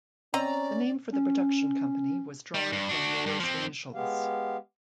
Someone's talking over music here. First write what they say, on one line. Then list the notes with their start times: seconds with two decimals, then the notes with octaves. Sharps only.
The name for the production company was drawn from Moore's initials.
0.34 C4 C#4 D5 D#5 A#5
1.12 C#4
2.54 G3
2.72 G2
2.89 D4 F#4
3.26 G2
3.40 F3 C4
3.94 G#3 B3 G4 F5